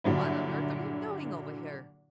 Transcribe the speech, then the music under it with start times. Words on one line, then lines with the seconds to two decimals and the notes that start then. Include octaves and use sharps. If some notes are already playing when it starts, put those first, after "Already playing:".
"What on earth are you doing over here?"
0.04 G2 A#2 D3 F#3 E4